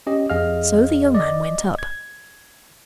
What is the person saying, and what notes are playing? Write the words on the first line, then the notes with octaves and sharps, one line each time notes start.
So the young man went up.
C#4 G4 D#5
F2 G#4 D#5 F5 F6
D5 D#5
G#6